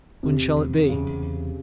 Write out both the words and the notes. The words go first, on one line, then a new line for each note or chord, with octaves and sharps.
"When shall it be?"
E2 C3
D#3
E2
E2
E2 C#3
E2
E2
C3